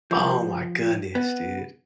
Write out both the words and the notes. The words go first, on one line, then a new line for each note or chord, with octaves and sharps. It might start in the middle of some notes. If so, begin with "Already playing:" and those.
Oh my goodness, dude.
F3
B3